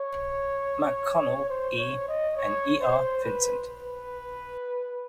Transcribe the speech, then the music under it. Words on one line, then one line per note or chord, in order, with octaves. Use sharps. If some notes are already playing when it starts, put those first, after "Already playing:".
MacConnell, E., and E. R. Vincent.
Already playing: C#5
C5
C#5
D#5
C#5
C5
B4
B4